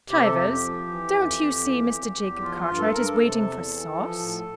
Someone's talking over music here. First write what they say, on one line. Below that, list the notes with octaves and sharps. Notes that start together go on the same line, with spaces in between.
Chivers! don't you see Mr. Jacob Cartwright is waiting for sauce?...
C3 G4
A4
F2 G4
F3
E3
F2
F2
E3
E2
E2
F3 F4
G2
A4
G2 A#4
A4
C3
E2
E3
F3
A2